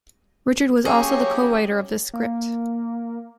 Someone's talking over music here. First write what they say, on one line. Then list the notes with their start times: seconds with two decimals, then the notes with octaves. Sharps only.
Richard was also the co-writer of this script.
0.85 F#3 A#3 C#4 G4 G#4 C#5
2.13 A#3